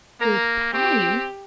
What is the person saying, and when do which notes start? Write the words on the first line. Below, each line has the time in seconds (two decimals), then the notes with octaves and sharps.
"With Patty!"
0.21 A#3 A#4
0.73 C4 G4